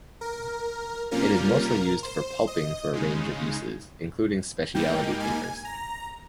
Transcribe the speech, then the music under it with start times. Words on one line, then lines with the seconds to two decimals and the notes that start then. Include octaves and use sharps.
It is mostly used for pulping for a range of uses, including speciality papers.
0.21 A#4
1.11 C3 G3 A#3 C#4 F4 A#4
2.03 C5
2.47 D#5
2.93 C#3 G#3 D#4
4.75 G#2 G3 A#3 D#4 G5
5.20 G#5
5.65 A#5